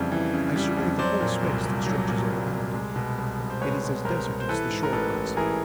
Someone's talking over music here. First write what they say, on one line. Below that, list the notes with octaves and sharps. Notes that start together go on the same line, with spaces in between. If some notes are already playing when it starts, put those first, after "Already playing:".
I survey the whole space that stretches overhead; it is as desert as the shore was.
Already playing: F2 C#3 E3 G3
E3
C#3
G3
F2
F#3 C5 D5
A#2
C2
C2
F#3
A#2
C2
C2
G#3
B2
C2
C2
C5
G#3 B4 C#5
B2
C2 A#4 C5
C2
C5
E3 A4 B4
G#2
A#4
A1 A4 B4
A1
E3 G#4 A#4